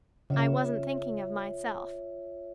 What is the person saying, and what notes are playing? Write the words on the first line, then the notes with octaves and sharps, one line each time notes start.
I wasn't thinking of myself.
C#3 F4 C#5 E5